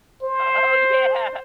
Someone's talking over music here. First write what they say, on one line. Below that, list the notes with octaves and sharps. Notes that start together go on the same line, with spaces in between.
Oh yeah,
C5